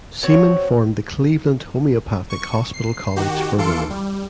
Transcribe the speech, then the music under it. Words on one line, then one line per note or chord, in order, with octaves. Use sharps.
Seaman formed the Cleveland Homeopathic Hospital College for Women.
C4 F#4 C#5
C#6
C7
D#3 F#4 G4
E3 A4 F5 C6 C#7 D7
G3